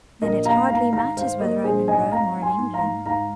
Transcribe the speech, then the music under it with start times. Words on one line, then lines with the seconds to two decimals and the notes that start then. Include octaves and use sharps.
"Then it hardly matters whether I'm in Rome or in England."
0.22 A#1 A#4 D#5
0.45 A#3 F5 A#5
0.69 G#2 F5 A#5
0.93 D#3 F5 A#5
1.17 G#2 C5 F5
1.40 A#3 A#4 D#5
1.63 A#1 G#4 C5
1.88 G#2 D#5 G#5
2.11 C4 F5 A#5
2.35 G#2
2.42 G#5 C6
2.58 G#2
2.74 F5 A#5
2.82 G#2
3.05 G#2 F5 A#5